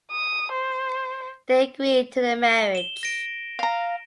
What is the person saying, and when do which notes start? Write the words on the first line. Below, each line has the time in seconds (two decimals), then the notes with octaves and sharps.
They agree to their marriage.
0.11 D#6
0.52 C5
2.75 E7 G7
3.03 A#6 D7
3.59 F5 A#5